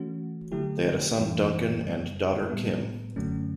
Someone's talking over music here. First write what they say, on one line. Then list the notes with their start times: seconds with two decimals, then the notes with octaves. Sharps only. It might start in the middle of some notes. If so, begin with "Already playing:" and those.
They had a son Duncan and daughter Kim.
Already playing: E3 A3 C#4 F#4
0.52 D3 F#3 A3 E4 G4
1.17 F#2 E3 G3 C#4
1.83 F#2 C#3 G3
2.49 A2 G3 B3
3.16 F#2 D3 F#3 A3 C#4